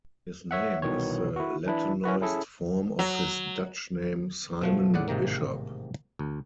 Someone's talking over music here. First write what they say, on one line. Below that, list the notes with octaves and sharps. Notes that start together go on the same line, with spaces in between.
His name is the Latinized form of his Dutch name Simon Bisschop.
C#5 E5 F#5
C2 B2 D#3 E3 C#5
E4 F#4
E3 D4 E4
C#4 E4 F#4 B4
C#4 E4 G#4 A4
F#3
B2 F3 A3
E2 A2 D5 F#5
A1 G#2 C3 D#3 A#3
D2